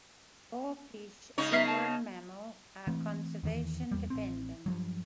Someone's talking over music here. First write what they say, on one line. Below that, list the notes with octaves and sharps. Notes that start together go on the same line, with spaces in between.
Four fish and one mammal are conservation dependent.
C#3 D#4 C#5
B3 A#4 E5 C7
A5
E3 A3 C4
E2 D#3 E3
E2 G3
A1 C4
G2 F3 F#3